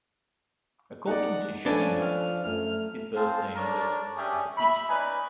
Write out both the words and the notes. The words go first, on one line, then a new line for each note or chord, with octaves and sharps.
According to Jean Mabillon, his birth name was Agapitus.
D#4 D5 F#5
F3 C#4 D4 A4 B4 G#5
F6
F#2 A3 F6
C4 G#4 F5 A5
D4 A4 A#4 C#5
C#4 D4 G4 G#4 E5
E5 B5
C#4 D#4 B4 D5 G#5